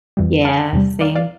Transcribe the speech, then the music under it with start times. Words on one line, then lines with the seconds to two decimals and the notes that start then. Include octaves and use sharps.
Yeah, same.
0.17 F2 E3 G3
0.45 F5 A5
0.73 E2 C3 G3
1.01 D5 F5
1.16 D5 F5